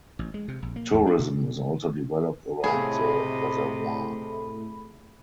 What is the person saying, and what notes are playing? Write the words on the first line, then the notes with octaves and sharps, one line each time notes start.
Tourism is also developed around the Reservoir.
A1
G#3
C3
A#1
A#3
E2
D4
B2
A2 C3 A3 G#4 D#5 B5